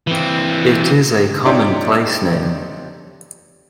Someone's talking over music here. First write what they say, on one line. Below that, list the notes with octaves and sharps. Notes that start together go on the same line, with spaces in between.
It is a common place name.
E3 C4
D4 D#4 F4 G4 C#5 D5